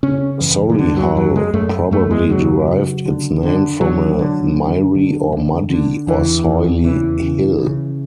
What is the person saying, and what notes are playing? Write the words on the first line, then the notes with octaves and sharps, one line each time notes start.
Solihull probably derived its name from a 'miry or muddy' or soily hill.
C#3 C#4
F#2 E3
E3
F#2 D3
F#3
F#2 F#3
G#3
F#2 A3
F#2 A3
G#3
C#3 F#3
C#3
D3
D3
D3 F#3
D3
D3
D3
D3
D3
E2 E3
E2
C#3 E3
C#3
C#3